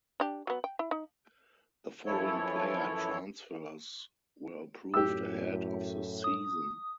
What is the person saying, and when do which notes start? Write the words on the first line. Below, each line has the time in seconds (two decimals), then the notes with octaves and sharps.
The following player transfers were approved ahead of the season.
0.20 D4 G4
0.47 F#3 B3
0.64 G5
0.79 E4
0.91 D#4
2.06 F#2 E3 F3 E4 A4 C#5
4.94 F#2 A2 G4 E6
6.24 D#6